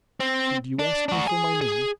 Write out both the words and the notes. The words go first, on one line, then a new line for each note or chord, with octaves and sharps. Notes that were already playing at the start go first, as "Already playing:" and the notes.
"Did you ask me for my name?"
C4
D4
D4 F#4
G#4 G#5
G#4